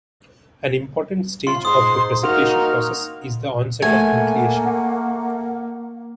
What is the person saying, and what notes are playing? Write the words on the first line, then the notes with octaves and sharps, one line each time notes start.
An important stage of the precipitation process is the onset of nucleation.
F4 C6
G#2 C6 D#6
A#3 D#4 F#4 F6
A3 A#3 F#5 G#5